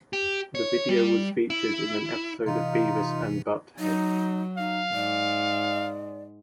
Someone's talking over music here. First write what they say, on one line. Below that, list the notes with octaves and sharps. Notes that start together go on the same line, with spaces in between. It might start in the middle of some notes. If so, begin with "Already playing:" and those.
The video was featured in an episode of Beavis and Butt-head.
G4
C#5
G3
E4
C3 E3 D#4 F4
F#3 D#4
D#4 F5
G#2 D5